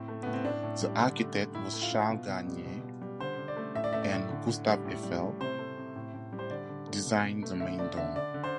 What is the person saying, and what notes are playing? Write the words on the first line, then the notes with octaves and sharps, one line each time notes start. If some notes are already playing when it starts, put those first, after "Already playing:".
The architect was Charles Garnier, and Gustave Eiffel designed the main dome.
Already playing: A2 C4
A3
A2 B3
C4
A2 D4
A2
G3
D3
A3
D3
A2 E4
A3
F4
A2
B2
B2
G3
B2
B2
G3
D3 C5
D3
D5
A3
A2 E5
D5
A3 E5
D5
A2
D3
D3
G3
A2
G3
A2
C3 C5
A3
C3
A2
A2
G3
C5
D3 D5
D3
A3
B2
B2
A3
D3 E5
A3 D5
D3 E5
D3 D5
D3
C5